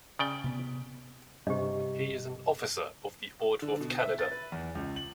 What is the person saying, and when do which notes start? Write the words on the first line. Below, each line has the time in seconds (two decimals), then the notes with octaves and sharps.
He is an Officer of the Order of Canada.
0.19 C#3 D5 G5
0.44 C3 B3
1.47 G2 C3 G4 D#5
3.62 D3
3.81 B2
3.99 E5
4.19 A6
4.32 B4
4.52 E2
4.75 C#2
4.96 F#7